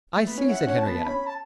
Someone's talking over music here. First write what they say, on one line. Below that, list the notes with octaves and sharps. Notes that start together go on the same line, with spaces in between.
"I see," said Henriette.
A3
B3
C#4
E4 F#5
C#4
A5
B3
C#4 B5
A5